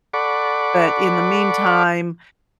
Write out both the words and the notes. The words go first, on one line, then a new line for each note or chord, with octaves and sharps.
but in the meantime,
A4 D5 F#5 B5 C#6 D6